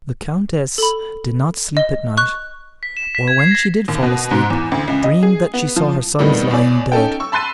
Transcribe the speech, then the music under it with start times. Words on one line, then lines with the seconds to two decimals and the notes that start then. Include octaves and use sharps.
The countess did not sleep at night, or when she did fall asleep dreamed that she saw her sons lying dead.
0.78 A4 B5
1.77 D#5 G7
2.17 C#6 F#6
2.83 B6
2.97 E7
3.15 B6
3.28 G#6
3.39 C7
3.51 A#6
3.88 D#2
4.03 B2
4.31 G#2
4.50 E2
4.72 D2
4.88 C#2
5.04 D#5
5.23 G#4
5.54 B3
5.76 F3
6.19 F2 A2 D#3 G3 B3
6.51 E2 B2 C#5 D5
6.92 C#4 D#4 A4 G5
7.20 C#6 E6
7.32 A5 B5 C6 F#6 A6 D#7